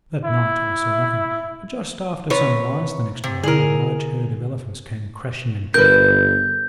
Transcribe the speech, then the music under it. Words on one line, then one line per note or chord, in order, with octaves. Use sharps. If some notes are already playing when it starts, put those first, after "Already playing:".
That night I saw nothing, but just after sunrise the next morning a large herd of elephants came crashing and trampling by.
E4
C3 B4 C#5
C3
D3 E4 G#4 A#4
G1 A#4 B4 G6